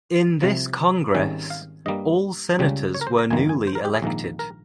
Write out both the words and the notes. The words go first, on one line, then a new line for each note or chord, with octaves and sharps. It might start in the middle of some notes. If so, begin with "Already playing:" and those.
In this Congress, all Senators were newly elected.
C2 C3 F3
G#1 G#2 D#3 G3 C#4
F5
G2 G3 A#3 D#5
C#2 C#3 G3
C#5
A#4
C5
A#5
G1 F2 D#3 A#3 G#5
G#5
C5
A#4
G4
G#4
A#1 G#2 D#3 A#3
A#4